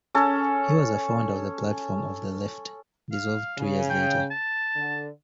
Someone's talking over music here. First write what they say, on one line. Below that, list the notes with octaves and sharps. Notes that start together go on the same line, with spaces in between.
He was a founder of the Platform of the Left, dissolved two years later.
C#4 A4
F5
C#3
G5
A5
D3